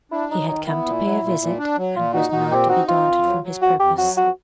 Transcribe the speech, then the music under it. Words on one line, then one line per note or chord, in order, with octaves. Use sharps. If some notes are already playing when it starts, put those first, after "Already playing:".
He had come to pay a visit, and was not to be daunted from his purpose.
D4 E4
F#3 D#4
D#3 D#4
B3 E4
A#2
F#3
A#2
A#2
D4
F#3
A#2 F4
D#4 F#4
A#2 F#4
C4 G4
D#4 F#4
C4 F4
F2
F#3
F#3
F2 F#4
F2 G4
F#3 F#4
F2 F#4